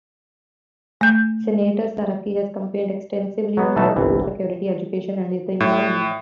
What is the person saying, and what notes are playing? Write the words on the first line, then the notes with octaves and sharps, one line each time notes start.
Senator Saraki has campaigned extensively on health, food security, education and the environment.
A3 G6
F#3 B3
B2 E3 A3 D#4 A5
G1 C2 E3
A2